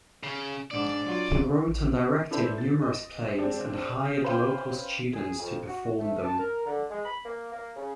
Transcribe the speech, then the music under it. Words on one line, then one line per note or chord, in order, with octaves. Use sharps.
He wrote and directed numerous plays, and hired local students to perform them.
C#3
G#2 D4 D5
F#3 F4
A1
D4 E4 A4 B4 C5
A6
D#5
G#3 C4 D4
D#6 F6 G6
C#4 B4 C5 F5 G5 C6
G#4
F2
F#4
A3
A5
A#4
D3
G#3
B5
A#3
A#3
C#3